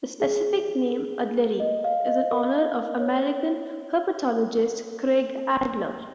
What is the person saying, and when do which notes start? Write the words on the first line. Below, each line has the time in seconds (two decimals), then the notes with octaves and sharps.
The specific name, "adleri", is in honor of American herpetologist Kraig Adler.
0.20 G#4
0.90 A#4
1.60 D#5
1.84 F5
2.07 D#5
2.31 A#4
3.00 C#5